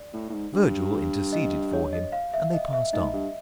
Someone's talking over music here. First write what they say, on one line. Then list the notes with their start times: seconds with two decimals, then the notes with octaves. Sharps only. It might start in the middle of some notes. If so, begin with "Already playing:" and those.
Vergil interceded for him, and they passed on.
Already playing: D5
0.13 A2
0.29 A2
0.33 G#2
0.53 G2
1.33 D#5
1.73 C#5
1.93 D#5
2.12 F5
2.34 E5
2.53 D#5
2.73 E5
2.93 G#2 D#5
3.13 G2